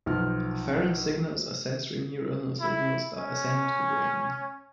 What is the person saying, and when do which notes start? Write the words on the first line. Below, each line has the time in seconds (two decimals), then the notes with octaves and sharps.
Afferent signals are sensory neuronal signals that ascend to the brain.
0.06 B1 F3 F6
2.61 E4
3.17 C#4